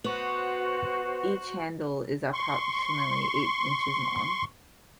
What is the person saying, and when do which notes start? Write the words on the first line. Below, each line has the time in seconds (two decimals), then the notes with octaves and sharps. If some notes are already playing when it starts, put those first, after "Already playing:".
Each handle is approximately eight inches long.
0.04 B3 F#4 C5 C#6 F#7
2.33 C6 C#6